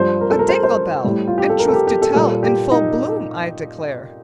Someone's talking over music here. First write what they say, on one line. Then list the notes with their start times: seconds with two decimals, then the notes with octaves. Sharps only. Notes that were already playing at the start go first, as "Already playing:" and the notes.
"A dingle-bell, and truth to tell In full bloom, I declare!"
Already playing: G2 F3 C5
0.21 A#4
0.30 A4
0.39 A#4
0.49 C5
0.63 C5
1.04 A2 G3
1.28 F4
1.38 G4
1.49 A4
1.59 A#4
1.68 A4
1.73 G4
1.87 G4
2.02 A4
2.15 A#2 G3 A4
2.43 G4
2.71 D#4